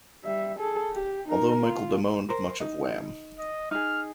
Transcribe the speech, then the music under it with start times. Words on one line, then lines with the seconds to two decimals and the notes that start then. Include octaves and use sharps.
Although Michael bemoaned much of Wham!
0.24 G3 E5
0.59 G#4 A4
0.93 G4
1.28 D#4 A#4
1.62 F4
2.29 A#4 C5
2.60 D#4
3.39 D#5
3.71 D#4 G#4 F6